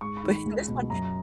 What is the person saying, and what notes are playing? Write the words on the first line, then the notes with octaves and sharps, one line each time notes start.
but in this one,
G#2 C#6
B5
D#3
B5
C#2
B2
F#2 A#5